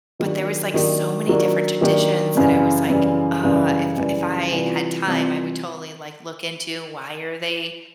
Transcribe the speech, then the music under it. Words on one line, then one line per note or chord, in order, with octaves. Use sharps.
but there was, like, so many different traditions that I was, like, "Ah, if if I had time, I would totally, like, look into why are they
D#3 F#3 A#3 D4 G4
D#3 F#3 A#3 D4 G4
D#3 F#3 A#3 D4 G4
D#3 F#3 A#3 D4 G4
F#2 C#3 E3 G3
F#2 C#3 E3 G3
F#2 C#3 E3 G3
F#2 C#3 E3 G3
C3 E3 G3 C4 F4
C3 E3 G3 C4 F4